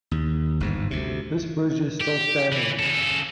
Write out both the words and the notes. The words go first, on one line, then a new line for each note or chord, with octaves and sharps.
This bridge is still standing.
D#2
G1 G#2
D2 C3
G4
E3
C#3 A4